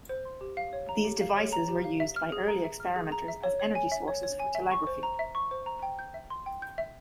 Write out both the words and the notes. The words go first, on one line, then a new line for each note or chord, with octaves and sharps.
These devices were used by early experimenters as energy sources for telegraphy.
C5
C6
G4
F5
C#5
A#5
G4
F5
C#5
A#5
G4
F5
E5
F6
G#4
A#5
E5
F6
G#4
A#5
E5
C#5
C#5
G#5
E5
C#5
C#5
G#5
E5
C#6
C5
A#5
E5
C#6
C5
A#5
G5
G6
E5
C6
G5
G6
E5